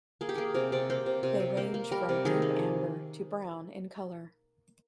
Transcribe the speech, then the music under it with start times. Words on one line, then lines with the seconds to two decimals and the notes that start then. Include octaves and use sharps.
They range from deep amber to brown in colour.
0.21 A#3 G#4
0.29 G4
0.35 A#3 G#4
0.54 C3 A#4
0.72 C3 D5
0.90 A#3 C5
1.06 C3
1.23 C3
1.40 C3
1.57 A#3 C5
1.74 A#3
1.91 G3 A#4
2.09 C3
2.25 D#3 G#4
2.42 A#3